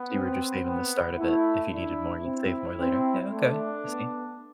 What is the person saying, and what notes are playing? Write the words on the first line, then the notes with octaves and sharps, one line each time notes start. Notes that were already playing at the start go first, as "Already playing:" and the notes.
So you were just saving the start of it, if you needed more, you'd save more later? Yeah, okay, I see.
Already playing: B3
C4
B3
A3 E4
D4 E4
C4 E4
C4
A3 D4
B3